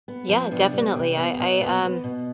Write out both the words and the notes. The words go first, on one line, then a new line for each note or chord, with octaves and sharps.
Yeah. Definitely. I I, um,
B3
F3
C3 B3 D4
G3
B3
C3
B3
B2
B3
B3
B2